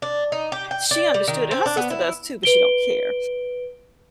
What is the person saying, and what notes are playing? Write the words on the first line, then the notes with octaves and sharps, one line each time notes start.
She understood, and her sister does too, but she don't care.
D4
D#4
G4
G5
D5
G3
D#3
C4
D4
B3
E4
B4 D7 G7